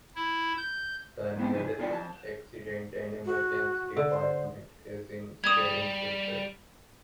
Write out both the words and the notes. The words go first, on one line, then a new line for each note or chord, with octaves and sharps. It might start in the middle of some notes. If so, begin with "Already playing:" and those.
The nearest Accident and Emergency Department is in Cirencester.
E4
G6
G#3 B3 C4 E4 G5
C3 F3 D#4 B4 C5
G#4
E4 F4 G4 A4 D5 G5
F2 A5
F#4
D3
C5
G3 D#6 G#6